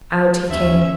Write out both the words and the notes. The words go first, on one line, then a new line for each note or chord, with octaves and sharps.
Out he came.
D#2 C#4 E5